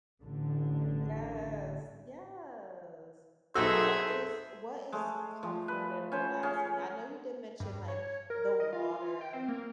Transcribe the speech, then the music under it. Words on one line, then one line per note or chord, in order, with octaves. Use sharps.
Yes, yes. What is what is comfort and relaxing, I know you did mention, like, the water
A1 D3
B1 D#4 F#4 G#4 A4 C5 E5
G#3 A3
F3
B4
C#4 B4 C5
C#4 G#4
G2
C#5
A#4
D#5
F4
G5
C4
A#3